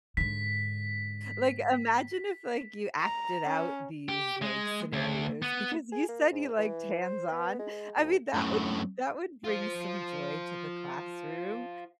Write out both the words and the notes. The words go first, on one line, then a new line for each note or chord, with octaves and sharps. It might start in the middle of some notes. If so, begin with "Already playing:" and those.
like, imagine if, like, you acted out these, like, scenarios because you said you liked hands-on, I mean, that would that would bring some joy to the classroom
G#2 D3 B6
A#5
C#4
G4
G#3
D2
B3
G#4
A#3
G#2
E3
C5
B3
G#3
D2
F#2 A2
F4 C5